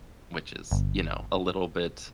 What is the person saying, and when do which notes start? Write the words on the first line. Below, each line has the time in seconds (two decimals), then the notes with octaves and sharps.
which is, you know, a little bit,
0.71 G1